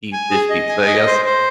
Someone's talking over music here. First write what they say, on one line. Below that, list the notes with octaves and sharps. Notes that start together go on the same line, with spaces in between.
deep dish pizza, I guess,
G#5
G#4
D#5
G#5
D#5
C5
C5